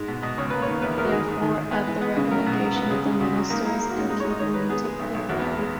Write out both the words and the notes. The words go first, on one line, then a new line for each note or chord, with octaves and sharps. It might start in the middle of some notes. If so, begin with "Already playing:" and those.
Therefore, at the recommendation of the ministers and people, he took the throne.
Already playing: G#2 G#3
B2
B2 D#5
C#2 C#5
A#3 B4
C#5
D#3
E2 B4
E2 A#4
F#4
D#3 G#4
G#2
D#3
D#3
B3 B4
E3
B3
C#3
F#3 A#4
B2
B3
B3
C#2 G#4
C#3
C#2 F#4
F#3
A#3 D#4
A#3 E4
A#3
F#4
G#2 C#4
G#3 D#4
C#5
G#3
D#5
D#3 C#5
D#3 B4
B3 G#4
G#3
B1
B1
E2 F#4
B3
E2
G#3